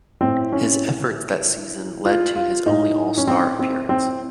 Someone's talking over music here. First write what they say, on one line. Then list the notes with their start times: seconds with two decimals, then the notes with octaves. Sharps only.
His efforts that season led to his only All-Star appearance.
0.21 A2 C4
0.52 C#4
2.05 F4
2.36 F4
2.66 A2 D#4
3.18 C#4
3.27 C4
3.59 C4
3.89 C4